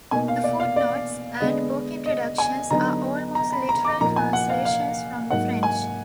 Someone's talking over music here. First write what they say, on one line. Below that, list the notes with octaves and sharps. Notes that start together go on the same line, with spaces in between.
The footnotes and book introductions are almost literal translations from the French.
B2 A#3 D#4 G#5
F5
D5
F5
D5
D3 G#3 B3 D4 D#5
D#5
G#5
D3 F#3 B3 D#4 A#5
A#5
B5
A#5
D6
A#2 F3 A#3 D#4 A#5
G#5
F#5
F5
F5
G#2 F#3 A#3 D#4 F#5
G#5